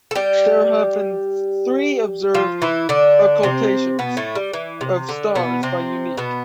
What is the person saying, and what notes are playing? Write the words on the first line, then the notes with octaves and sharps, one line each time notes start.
There have been three observed occultations of stars by Eunike.
A4
G3 G4
F3 F4
E3 E4
D3 D4
C3 C4
B2 B3
A2 A3
G3
E3
C3
D3
B2 B3
C3 C4
B2 B3